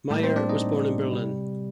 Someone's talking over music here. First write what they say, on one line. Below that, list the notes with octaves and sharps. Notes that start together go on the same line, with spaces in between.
Meyer was born in Berlin.
A2 G3 A#3 G4
C4 C5
D4 D5
D#4 D#5
C3 G3